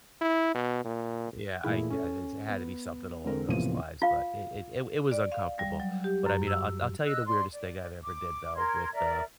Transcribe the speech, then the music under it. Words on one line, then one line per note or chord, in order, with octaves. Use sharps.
Yeah, I guess it had to be something along those lines, but it it it it was uncomfortable. But I mean, I'll I'll tell you the weirdest thing I've ever did though with the,
E4
B2
A#2
A#2 E3 A3 E4 G#4
C#4 A4
B3
D3 G#3 C4 A4 A#4
A1 C3 F3 A#3 B3 D#7
F4 F5
D5
F5
G3
F#3
G4
F#2
E6
D#5 E6 F#6
D5 C6
D5
D6
A#4 C6 G#6
A#4 D5 E5